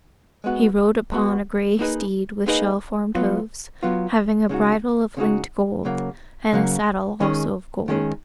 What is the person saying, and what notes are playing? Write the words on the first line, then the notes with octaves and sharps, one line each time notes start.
He rode upon a grey steed with shell-formed hoofs, having a bridle of linked gold, and a saddle also of gold.
G#3 B3 F#4
G#3 B3 F#4
A#3 D#4 G#4 B4 D#5
A#3 D#4 G#4 B4 D#5
F#3 B3 F4
F#3 B3 F4
C#3 G#3 D#4 F#4
C#3 G#3 D#4 F#4
C#3 F#3 A#3
C#3 F#3 A#3
D#3 G#3 C#4 G#4
D#3 G#3 C#4 G#4